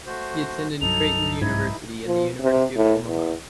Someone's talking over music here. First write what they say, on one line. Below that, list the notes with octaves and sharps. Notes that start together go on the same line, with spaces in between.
He attended Creighton University and the University of Omaha.
A3 F#4 C5
C2 G2 F#3 D#4 A4 F7
G#2 E3 D#4 E4 G#6
F3
C3
A2
E2